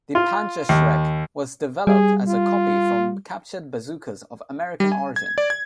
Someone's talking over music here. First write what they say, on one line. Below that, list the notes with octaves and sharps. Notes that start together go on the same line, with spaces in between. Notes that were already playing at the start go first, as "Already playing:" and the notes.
The Panzerschreck was developed as a copy from captured bazookas of American origin.
F4
D#2
G3 G#4
F4
G3
G#5
G#6
D5
G#6